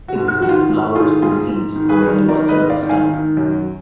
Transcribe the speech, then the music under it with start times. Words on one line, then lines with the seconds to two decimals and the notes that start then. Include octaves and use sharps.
It produces flowers and seeds on only one side of the stalk.
0.08 F#4
0.15 G#2
0.29 F#4
0.42 D#3 F#4
0.49 F4
0.69 G#2
0.95 D#3 F4 G#4
1.22 G#2 F4 G#4
1.49 G#2
1.76 D#3
1.89 G#4 B4
2.02 D#3
2.29 D#3 A#4 D5
2.49 B4 D#5
2.56 G#2
2.70 D5 F5
2.83 D#3
2.89 F5 G#5
3.09 D#3
3.37 F#2